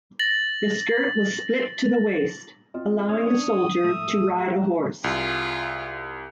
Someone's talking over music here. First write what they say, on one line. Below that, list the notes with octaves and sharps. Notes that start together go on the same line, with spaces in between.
The skirt was split to the waist, allowing the soldier to ride a horse.
A6 A#6 F#7
C4 F4 D#5
C#4 D4 C#5 D#6
A2 A3 E5
G4 F#5 A#5
C2 F4 G#4